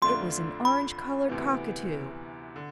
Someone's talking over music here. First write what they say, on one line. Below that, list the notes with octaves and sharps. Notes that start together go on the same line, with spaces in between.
It was an orange-coloured cockatoo.
F2 D3 A3 D4 F4 C6
B5
D2 C3 E3 B3
D3